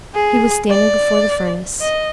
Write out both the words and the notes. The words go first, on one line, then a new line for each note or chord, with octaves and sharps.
He was standing before the furnace.
G#4
D5
D#5